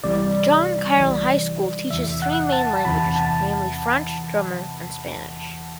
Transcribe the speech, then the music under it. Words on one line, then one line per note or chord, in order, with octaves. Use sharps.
John Kyrle High School teaches three main languages, namely French, German and Spanish.
C2 C3 E3 G3 D5
C2 C3 E3 G3
E2 C3 E3 E5
F#5
A5
A5
E2 C3 E3 B5
A5